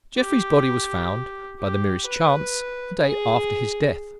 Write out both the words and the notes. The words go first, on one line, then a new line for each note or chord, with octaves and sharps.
Jeffrey's body was found, by the merest chance, the day after his death.
G4
G4
B4
G#4